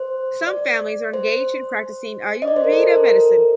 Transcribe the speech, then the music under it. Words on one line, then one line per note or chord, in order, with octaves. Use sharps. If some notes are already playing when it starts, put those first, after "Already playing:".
Some families are engaged in practicing Ayurveda medicine.
Already playing: C5
D5
C5
D#5
D5
C5
A#4
A4
C5
A#4
A4
A#4